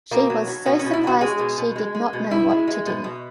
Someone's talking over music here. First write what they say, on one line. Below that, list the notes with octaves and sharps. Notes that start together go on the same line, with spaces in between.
She was so surprised she did not know what to do.
B2 A#3
F#3
F#3
B2 B3
C#4
B2
E4
F#3 F#4
G#3 G#4
B2
B2
G#3
G#3
B2
B2 E4
G#3
G#3
B2
B2